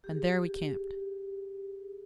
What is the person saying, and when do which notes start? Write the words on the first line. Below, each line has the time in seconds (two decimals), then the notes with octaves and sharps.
And there we camped.
0.04 G4 G#4